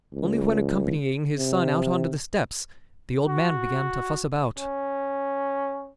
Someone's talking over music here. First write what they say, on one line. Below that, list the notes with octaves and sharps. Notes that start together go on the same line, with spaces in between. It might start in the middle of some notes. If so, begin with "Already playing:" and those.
Only when accompanying his son out on to the steps, the old man began to fuss about.
C#2
C3
F#4
C#4